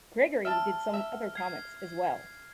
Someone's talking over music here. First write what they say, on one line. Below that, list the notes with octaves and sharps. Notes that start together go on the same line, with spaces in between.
Gregory did some other comics as well.
E5 A5 F6
E5
G#6 C7